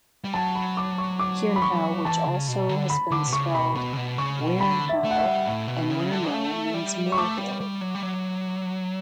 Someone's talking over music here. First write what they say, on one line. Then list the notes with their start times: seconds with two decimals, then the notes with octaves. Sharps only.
Quernhow, which has also been spelled Whernhowe and Whernou means mill-hill.
0.24 G3
0.34 F#3 A5
0.55 B5
0.77 D6
0.98 C#6
1.19 D6
1.56 B5
1.62 C#6
2.05 E3 A5
2.26 C#3
2.48 B2
2.69 D3
2.90 B5
3.11 D3 D6
3.27 B2
3.32 C#3 C#6
3.54 B2 B5
3.75 B2 B5
3.93 C#3
3.97 B2
4.18 C#3 C#6
4.40 B2
4.60 D3 B5
4.89 E5
5.04 A3
5.11 F#5
5.18 E5
5.26 G3
5.46 A2
5.67 B2
5.90 C#3
6.11 D3
6.32 A3
6.74 G3
7.12 C#6
7.18 A3 D6
7.38 G3
7.61 G3
7.81 F#3
7.95 G3
8.03 F#3